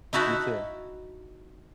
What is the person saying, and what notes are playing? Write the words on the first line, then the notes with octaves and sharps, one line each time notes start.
You, too.
D#4 E4 F#4 A5 B5